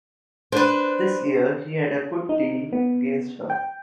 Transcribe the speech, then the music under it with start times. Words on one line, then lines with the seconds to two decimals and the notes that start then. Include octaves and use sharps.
This year he had a good deal against her.
0.52 D4 B4 C5
2.29 D#4
2.73 B3
3.50 G5